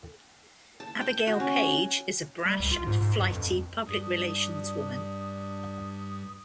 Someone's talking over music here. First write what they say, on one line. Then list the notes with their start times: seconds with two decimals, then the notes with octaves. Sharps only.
Abigail Page is a brash and flighty public relations woman.
0.80 A5
1.01 G5
1.27 F#4
1.40 C#4
2.46 G3
2.60 C#2
2.71 F4
2.87 G#2
3.01 G#2
3.18 G2
3.30 F2
3.87 G2 D4 D#6